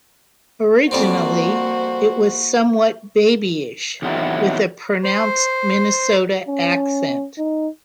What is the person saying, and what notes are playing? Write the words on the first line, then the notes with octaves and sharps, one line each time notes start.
Originally, it was somewhat babyish, with a pronounced Minnesota accent.
F2 G3 A#3 C4 F#4 C5
E2 D3 D#3 F#3 C4 E4
C5
C#4
D#4